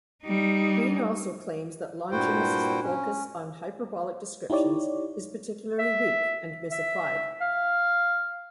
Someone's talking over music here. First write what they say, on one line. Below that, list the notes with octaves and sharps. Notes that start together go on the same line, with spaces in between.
Greene also claims that Longinus' focus on hyperbolical descriptions is particularly weak, and misapplied.
G3 D#4
G2 A#2 E4 F#4 C5 G5
C#4
D#4 E4 G4 C#5 D5
E5
E5
F5